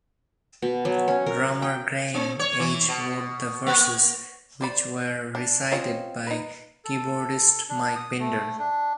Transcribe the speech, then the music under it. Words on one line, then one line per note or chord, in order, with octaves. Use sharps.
Drummer Graeme Edge wrote the verses, which were recited by keyboardist Mike Pinder.
B2
F#3
C#4
A#4
G5
C4
C#5
E3
B2
A#3
C5 D5 B5
D4
C4 C#4 F4 C#5 D#5
D#4 B4
A4
D4
D#6
A3
D4